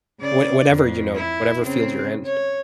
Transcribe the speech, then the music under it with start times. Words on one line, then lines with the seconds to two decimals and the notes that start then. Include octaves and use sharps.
what whatever, you know whatever field you're in.
0.20 C#3 D5
0.68 F2
1.15 E4
1.63 C#3 C4
2.25 C#5